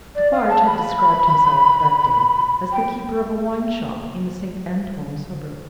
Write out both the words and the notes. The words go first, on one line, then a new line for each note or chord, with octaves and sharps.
Defarge had described himself, that day, as the keeper of a wine-shop in the Saint Antoine suburb.
D5
F5
A5
B5
G5